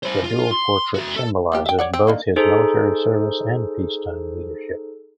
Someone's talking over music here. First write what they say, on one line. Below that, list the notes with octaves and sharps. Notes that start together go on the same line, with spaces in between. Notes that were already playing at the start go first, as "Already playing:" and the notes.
The dual portrait symbolizes both his military service and peacetime leadership.
E4 C5
F4
C6
F#4 E5
A4
F3 A#3 G4
E5 G5
C#5 D5 F#5
C4
D3 D#3 A#3
D#4 G#4 A4 C5